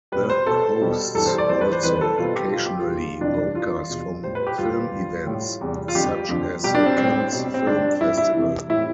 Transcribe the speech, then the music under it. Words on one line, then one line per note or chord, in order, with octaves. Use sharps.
The hosts also occasionally broadcast from film events such as the Cannes Film Festival.
B2 G3 B4
C5
B2 G3 A4
B2 G3
G2 E3 G3 A4
C5
D5
F2 E3 G3 C5
B4
C5
F2 E3 G3 B4
A4
B2 G3 F4
G4
B2 G3 F4
G4
F4
E2 D3 G3
F2 C3 E3 G3 D4
D4
G2 E3 G3 F4
E2 B2 G3
A2 G3 C5
B4
G4
G2 D3 G3 F4
G2 F3
A2 G3
E2 C3 G3
F4
F2 D3 G3 G4
F2 D3 F3
B2 G3 G4
D4
C4
A2 G3 C4
C4
B2 G3
C4
G2 D3 G3 D4
G2 F3 E4
E4
F2 C3 E3
A2 G3 E4